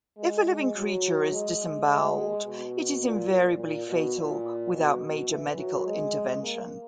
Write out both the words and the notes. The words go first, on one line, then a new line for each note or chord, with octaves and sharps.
If a living creature is disemboweled, it is invariably fatal without major medical intervention.
G#3
G#3
F#3
G#3
G#3
G#3
B2
A#2
A#2
A#2
B2
A#2
B2
B2
E3
F#3
G#3
A#3